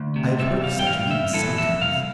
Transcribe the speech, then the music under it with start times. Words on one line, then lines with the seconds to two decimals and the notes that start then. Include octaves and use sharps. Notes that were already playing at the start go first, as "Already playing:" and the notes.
I have heard of such means sometimes.
Already playing: D2
0.16 C3
0.39 G3 E5
0.63 E3 F5
0.79 G5
0.87 G2 F5
1.10 G2 E5
1.33 E3 A4
1.58 F2 E5
1.81 C2 F5